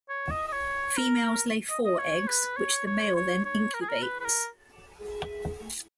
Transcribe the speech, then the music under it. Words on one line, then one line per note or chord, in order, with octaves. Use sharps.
Females lay four eggs, which the male then incubates.
C#5
D#5
D#5
C#5
A#4
D#5
D#5
C#5
B4
C#5
C#5
C#5
C#5
A#4
G#4
A#4
B4
B4
A#4